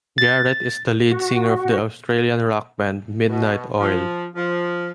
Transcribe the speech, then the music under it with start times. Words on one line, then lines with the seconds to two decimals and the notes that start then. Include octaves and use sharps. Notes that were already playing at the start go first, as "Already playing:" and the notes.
Garrett is the lead singer of the Australian rock band Midnight Oil.
0.18 A6
1.12 F#4
3.29 B2
3.80 F3
4.36 F3